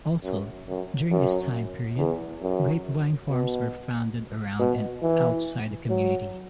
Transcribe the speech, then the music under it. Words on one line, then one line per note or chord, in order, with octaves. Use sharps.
Also during this time period, grapevine farms were founded around and outside the community.
F#2
F#2
F#2
E2
F#2
B2
B2
E3
F#3